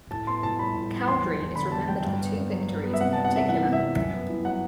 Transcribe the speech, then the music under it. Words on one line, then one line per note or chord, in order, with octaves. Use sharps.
Cowdrey is remembered for two victories in particular.
A2 A5
B3 C6
A2 A5
G3 B5
A2
B3
E2 C6
F#3
E2
D3 B5
E2 A5
F#3 G5
G2
B3
G2
F#3
G2
B3
E5
C3 F#5
G3 A5
F#5
C3 E5
E3 F#5
C3
E5
G3
F#2 E5
B3
E4
F#3 F#5